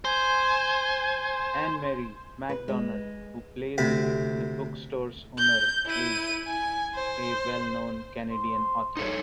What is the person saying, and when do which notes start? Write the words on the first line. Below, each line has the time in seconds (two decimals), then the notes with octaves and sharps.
Ann-Marie MacDonald, who plays the bookstore's owner, is a well-known Canadian author.
0.05 C5 G#5
2.49 B4
2.68 G#3
3.78 D2 C3 B5
5.39 G6
5.86 E4 D#7
6.47 G#5
6.95 C5
8.31 C5
8.97 D#4 A4 C#5